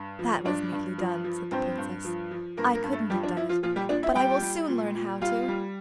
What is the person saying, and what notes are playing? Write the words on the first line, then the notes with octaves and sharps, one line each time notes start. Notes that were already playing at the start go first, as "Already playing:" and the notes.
'That was neatly done!' said the Princess. 'I couldn't have done it; but I will soon learn how to!'
Already playing: G2
F3
G2 D4 D5
G2
F3
F3
G2 C4 C5
G2
F3
F3
G2 A#3 A#4
A#3 A#4
G2
A3 A4
F3 G3 G4
D4
F3 E4
F3 F4
A#2 F3 F4
G3 G4
A#2 D4 D5
E4 E5
G3 G4 G5
G3
A#2
A#2
G3 F4 F5
G3